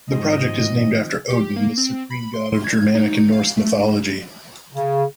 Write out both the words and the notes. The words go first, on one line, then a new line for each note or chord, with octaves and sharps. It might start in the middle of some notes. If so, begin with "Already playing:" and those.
The project is named after Odin, the supreme god of Germanic and Norse mythology.
G#2 D#3 F3 C4 D#5
G4
A#3
C4
B5
C6
G#6
D#4
F5
A3
C#3